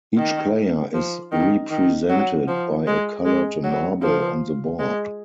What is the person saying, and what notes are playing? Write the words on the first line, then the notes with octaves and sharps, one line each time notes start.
Each player is represented by a coloured marble on the board.
D#3
F3
D#3
D#3
F#3
F3
G#3
G#3
F#3
F3
G#3